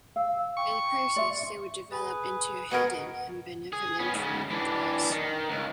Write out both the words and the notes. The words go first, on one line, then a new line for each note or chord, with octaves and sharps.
In the process they would develop into a hidden and benevolent "ruling" class.
F5 E6
G5 C#6
D5 E5 C6
G#4 B4
B3 F#4 G#4 A#4 D#5 F#5
G#4
B3 C#4
G#2 C#3
E3 D4
D#3
C#2